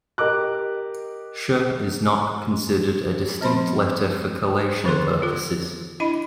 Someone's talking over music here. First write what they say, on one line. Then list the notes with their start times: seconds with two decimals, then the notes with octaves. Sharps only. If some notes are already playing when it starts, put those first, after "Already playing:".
"Sh" is not considered a distinct letter for collation purposes.
0.18 G4 A#4 D#5 D6 F#6
3.41 F3 C4 C5 B5 C6
4.84 D3 D#3 G#4 A4 C6
5.22 F4 A4
6.00 D4 E4 D#5 B5